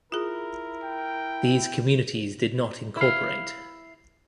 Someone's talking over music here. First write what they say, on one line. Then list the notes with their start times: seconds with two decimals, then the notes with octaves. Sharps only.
These communities did not incorporate.
0.12 E4 F4 G#4 A#4
0.83 G5
2.97 E4 F5